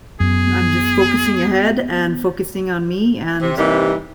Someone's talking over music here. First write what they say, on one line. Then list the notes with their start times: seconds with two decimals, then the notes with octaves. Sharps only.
I'm just focusing ahead and focusing on me and
0.20 F#2 B3 G#4
3.41 C3
3.58 C3 E3 G3 A#3 D#4